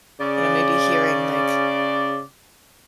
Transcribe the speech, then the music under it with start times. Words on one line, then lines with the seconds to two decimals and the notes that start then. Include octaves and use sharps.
you know, maybe hearing like
0.21 C#3 D5